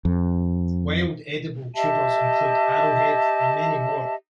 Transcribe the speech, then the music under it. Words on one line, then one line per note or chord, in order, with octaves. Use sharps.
Wild edible tubers include arrowhead, and many more.
F2
G4 D#5 E5 A5